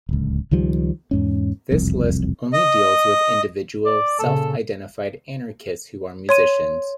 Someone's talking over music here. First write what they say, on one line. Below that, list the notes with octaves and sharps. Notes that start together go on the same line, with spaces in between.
This list only deals with individual, self-identified anarchists who are musicians.
D1 C#2
C#2 D#3 F3 G3
E2 G#2 C#4
E1 C2 F2
D#5
D5
A#2 C#3 A4
C#5 C6 D#7